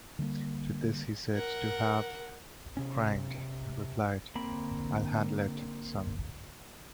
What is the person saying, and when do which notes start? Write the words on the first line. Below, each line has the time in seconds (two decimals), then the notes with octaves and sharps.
To this, he is said to have grinned and replied, I'll handle it, son.
0.19 D3 G3 A3 A#3
1.34 A#4 F#5
2.77 C3 C#4
4.35 D3 A#3 C4 B5